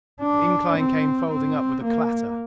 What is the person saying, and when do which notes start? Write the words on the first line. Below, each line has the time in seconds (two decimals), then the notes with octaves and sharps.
The incline came folding up with a clatter.
0.22 D4
0.76 C4
1.30 C4
1.84 A#3